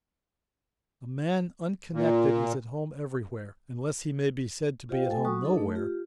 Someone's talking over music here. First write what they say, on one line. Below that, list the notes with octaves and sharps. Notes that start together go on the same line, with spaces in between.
A man unconnected is at home every where; unless he may be said to be at home no where.
A#2
F4 G4 C5 D#5 F5 G5
A3 A4 G5 G#5
F#3 F#4 C#6 D#6
D4 D#4 G#4 A4 D#5
A3
F4 G4